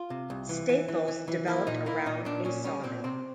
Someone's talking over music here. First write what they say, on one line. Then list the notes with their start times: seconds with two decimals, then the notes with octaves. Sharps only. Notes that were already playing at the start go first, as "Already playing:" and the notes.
Staples developed around a sawmill.
Already playing: F4
0.10 C3
0.30 C2
0.49 E3
0.69 E3
0.88 E3
1.08 E3
1.28 E3
1.47 A#3 E4
1.67 A#2 D#4
1.86 A#3 E4
2.06 A#2 D#4
2.25 A#2 D4
2.45 A#2 C#4
2.64 G3 C#4
2.84 A#2 C4
3.04 C3 C4